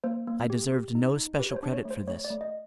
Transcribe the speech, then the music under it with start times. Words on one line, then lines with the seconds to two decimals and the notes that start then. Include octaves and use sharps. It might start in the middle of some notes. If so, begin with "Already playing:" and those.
I deserved no special credit for this.
0.04 A#3 C5
0.27 A#3
0.50 G4
0.72 G4
0.95 D#4
1.16 D#4
1.39 G4 B4
1.51 C#5
1.56 C5
1.63 D4
1.73 C#5
1.85 A3
1.91 C5
2.07 A3 C#5
2.25 D5
2.30 A3
2.41 D#5